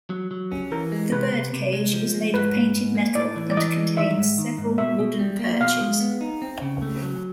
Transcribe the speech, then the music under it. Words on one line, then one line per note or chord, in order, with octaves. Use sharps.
The birdcage is made of painted metal and contains several wooden perches.
F#3
F#3
C#4
E3 A#4
G#3
C3 B4
C3
C3
G#3
F3
G#3
G#2 B4
G#2
G#2
A#3
A2 D5
E3
D5
E3 D#5
G#3
D#3 E5
G#2
D#3
G#2
B2 E5
B2
G3
A#3
B2 F5
G#3
B3
D#4
C4
C#3
A3
F#3